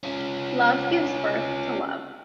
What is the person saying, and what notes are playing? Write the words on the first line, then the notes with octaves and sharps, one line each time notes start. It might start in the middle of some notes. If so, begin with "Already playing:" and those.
Love gives birth to love.
C#4 F4